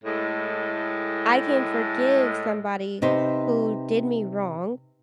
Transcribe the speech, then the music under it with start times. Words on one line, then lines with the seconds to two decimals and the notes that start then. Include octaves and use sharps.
I can forgive somebody who did me wrong
0.04 A2 G#3
3.02 C3 D#4 B4 C5